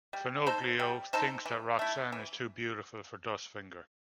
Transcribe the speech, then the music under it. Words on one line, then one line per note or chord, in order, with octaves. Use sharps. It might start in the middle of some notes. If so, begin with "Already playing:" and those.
Fenoglio thinks that Roxanne is 'too beautiful' for Dustfinger.
G3
D#4 A4 C5
G3
D#4 A4 C5
E3
A3 E4
E3